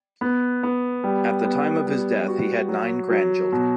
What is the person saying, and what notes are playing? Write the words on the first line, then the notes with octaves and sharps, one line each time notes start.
At the time of his death he had nine grandchildren.
B3
B3
G3
B3
G3
F#4
F#3
F#3
B2